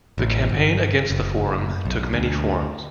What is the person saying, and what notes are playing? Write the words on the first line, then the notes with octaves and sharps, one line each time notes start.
The campaign against the forum took many forms.
A1
G1
F#1
B1
D2